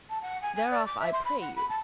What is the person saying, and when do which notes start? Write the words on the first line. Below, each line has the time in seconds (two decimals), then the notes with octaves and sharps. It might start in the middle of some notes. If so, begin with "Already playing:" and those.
Thereof I pray you.
0.10 A5
0.22 F#5
0.42 G#5
0.55 G#5
0.70 D5
0.86 D6
1.00 E5
1.12 C6
1.25 B5
1.40 F#5
1.56 B5
1.69 A5